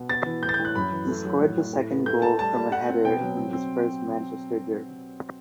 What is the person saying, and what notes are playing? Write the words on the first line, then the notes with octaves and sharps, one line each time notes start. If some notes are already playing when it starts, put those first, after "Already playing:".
He scored the second goal from a header in his first Manchester derby.
Already playing: B2
B3 A6
E3
A2 G6
A6
G6
A2
F#6
F#2 B5
E3
A3
F#3
A2
A2
A2
B3
A3 G6
A3 A5
G3 A5
G3
A3 F#5
C4
B2 G5
F#3
C4
C4